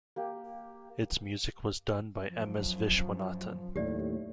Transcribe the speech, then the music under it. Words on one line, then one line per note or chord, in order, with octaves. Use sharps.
Its music was done by M. S. Viswanathan.
A#3 G4
F#2 F3
D#2 A2 A3 G4 D5